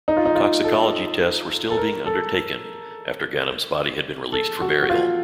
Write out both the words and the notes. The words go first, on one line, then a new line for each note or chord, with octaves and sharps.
Toxicology tests were still being undertaken after Ghanem's body had been released for burial.
D#4
F4
D#4
F4
A4
A4
A#4
A4
A4
F#4
F#4
F4